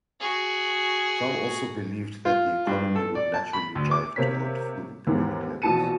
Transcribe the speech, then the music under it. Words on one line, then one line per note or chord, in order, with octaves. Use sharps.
Some also believed that the economy would naturally drive toward full employment levels.
F#4 G#4
F4
G2
A4
D5
A5
B5
D2
D6
C3 A#3 C#5 B6
D#2 G#2 E3 B3
A#1 B2 E3 A5 C#7 D#7